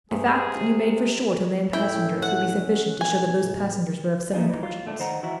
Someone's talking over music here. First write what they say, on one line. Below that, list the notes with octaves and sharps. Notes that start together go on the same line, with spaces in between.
The fact that you made for shore, to land passengers, would be sufficient to show that those passengers were of some importance.
G2 C3 G#4
A2 C#4 E4 G5
F#5
B1 G#5
C#2 A2
A3 A#3 D#4 F4 G#4
E3 D#4
F4
G#2 A3 D4
D#3 C5 D#5 F#5 A#5
E3 E4 F#4 E5 F#5